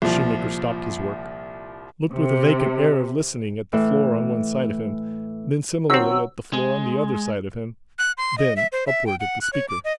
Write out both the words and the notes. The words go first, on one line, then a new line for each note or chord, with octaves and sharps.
The shoemaker stopped his work; looked with a vacant air of listening, at the floor on one side of him; then similarly, at the floor on the other side of him; then, upward at the speaker.
C2 A#2 F3
C3
A2 E3
D#3 F#3 C4 E6
G#3
F#6
C6
D#5
E5
C5
E5
G5
F#5
F#6
C#5
D6
D#5